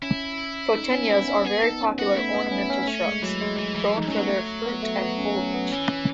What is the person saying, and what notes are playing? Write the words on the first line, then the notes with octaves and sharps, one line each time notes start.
Photinias are very popular ornamental shrubs, grown for their fruit and foliage.
C#4 E4
D#4
C#4
B3
C#4
B3 G#4
D#4 A4
C#4
B3 F#4
A3 E4
B3
C#4
C#4
A3 C#4
G#3
E3 F#3
G#3
E3
E3
D#4
F#3 C#4
B3
A3
B3
A3
B3
C#4
C#4
B3
E3 C#4